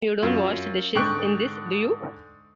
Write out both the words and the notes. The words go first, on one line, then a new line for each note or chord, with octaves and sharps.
You don't wash the dishes in this, do you?
F#2 F4
G#2 D3 G5 C#6 F#6